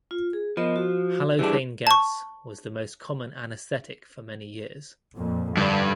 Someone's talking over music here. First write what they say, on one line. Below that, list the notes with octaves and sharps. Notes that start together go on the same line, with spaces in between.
Halothane gas was the most common anaesthetic for many years.
F4
G#4
F3 B3 A#4 D#5
F#4
E3 G3 D4 G#4
A5 C#6
F2 A#2
G2 D3